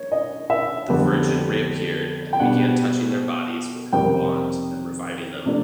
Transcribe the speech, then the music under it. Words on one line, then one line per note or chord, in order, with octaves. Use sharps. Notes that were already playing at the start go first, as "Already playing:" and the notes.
The Virgin reappeared and began touching their bodies with her wand and reviving them.
Already playing: A#3 C#5
D#5
E5
F2 D3 G3 B3
G5
B2 G3 B3 D4 F#5
F2 C3 D#3 G3 A#3 G5
C3 F3 A3 D4